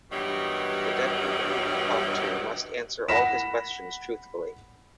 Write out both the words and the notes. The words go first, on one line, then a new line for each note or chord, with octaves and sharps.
The dead people he can talk to must answer all his questions truthfully.
G2 B2 D#3 E3 F#3 G3
F#5 B5 A#6 B6 E7